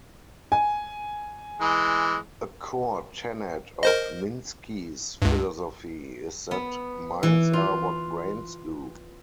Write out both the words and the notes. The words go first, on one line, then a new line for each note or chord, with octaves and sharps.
A core tenet of Minsky's philosophy is that "minds are what brains do".
G#5
E3 G#3
A#4 C5 D#5
C#2 G2
B3
E3
F4